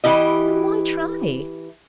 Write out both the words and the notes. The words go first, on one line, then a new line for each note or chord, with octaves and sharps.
Then why try?
E3 E4 G4 D#5